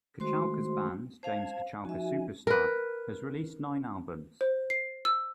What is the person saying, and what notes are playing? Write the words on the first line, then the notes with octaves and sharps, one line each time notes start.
Kochalka's band, James Kochalka Superstar, has released nine albums.
D#3 G#3 A3 F#4 C5 C6
C5 F5 A5 G#6
F3 D#4 F#4 E5 G#5
A#4 B4
C5
C7
E6